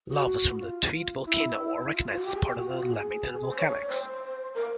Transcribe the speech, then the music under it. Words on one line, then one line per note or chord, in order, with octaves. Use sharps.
Lavas from the Tweed Volcano are recognised as part of the Lamington Volcanics.
F#4
F4
E4
F4
F4
F#4
G4
G#4
G4
F#4
F4
F#4
G#4
C5
C#5
C5
A#4